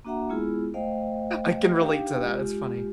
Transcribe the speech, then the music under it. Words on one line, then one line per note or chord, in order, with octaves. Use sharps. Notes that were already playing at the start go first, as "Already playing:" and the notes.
I can relate to that, it's funny.
A#3 D4 F#4 E5 F#5 A#5
G#3 B3 E4 F4 G#4
A3 C5 D#5 F5 G5
D4 D#4 G4 F5 G5
G#3 F4 G4